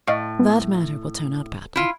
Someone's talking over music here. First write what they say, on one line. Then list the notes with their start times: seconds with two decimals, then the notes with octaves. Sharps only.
That matter will turn out badly.
0.07 A2 D#5 F5 C#6
0.39 B3
1.76 E4 F4